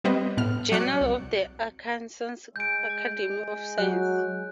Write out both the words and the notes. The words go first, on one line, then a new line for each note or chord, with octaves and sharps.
Journal of the Arkansas Academy of Science.
G3 B3 C4 B4 C5 D#5
A2 B3 F6
F#3 D5 F#6 C#7
C2
G#3 G6 D7
G#3
F#3 F#6